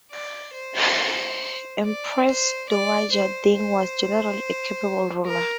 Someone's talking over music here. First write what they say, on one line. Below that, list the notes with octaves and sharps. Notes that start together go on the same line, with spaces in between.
Empress Dowager Deng was generally a capable ruler.
D5
C5
D5
C5
D5
C5
C5
A#4